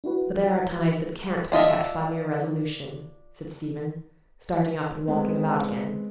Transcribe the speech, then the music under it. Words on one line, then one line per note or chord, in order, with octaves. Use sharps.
"But there are ties that can't be kept by mere resolution," said Stephen, starting up and walking about again.
D4 E4 F#4 B4
D4 F4 D#5 E5
G#3 B3 C4